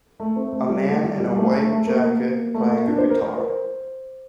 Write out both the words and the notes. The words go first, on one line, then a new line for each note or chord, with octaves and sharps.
A man in a white jacket playing a guitar.
A3
C4
A3
G3
A3
G3
G3
A3
A3
A3
A#3
A#3
A3
A#3
D4
C5
A#4
A#4
C5